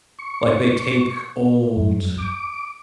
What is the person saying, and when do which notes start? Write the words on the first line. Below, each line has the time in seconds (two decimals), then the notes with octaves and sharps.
like they take old
0.19 C#6
1.76 F#2
2.18 D6